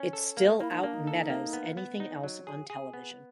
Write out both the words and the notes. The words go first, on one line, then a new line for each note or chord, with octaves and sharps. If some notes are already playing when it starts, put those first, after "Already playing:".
It still out-metas anything else on television.
Already playing: C#4
A4
A#3
A#3 E4
D#4
A#3 D4
D#4
A4
A#3
B3
B3
D#4
F#3
G#4
G#4
B3